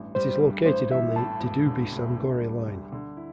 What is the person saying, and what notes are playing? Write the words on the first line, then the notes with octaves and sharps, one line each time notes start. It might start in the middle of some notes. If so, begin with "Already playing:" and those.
It is located on the Didube-Samgori line.
Already playing: A1 G2
G3 C5
G2
A1 C5
E3 E5
A2 A5
E1
D3
D2
D2
G3
D3
D3
E4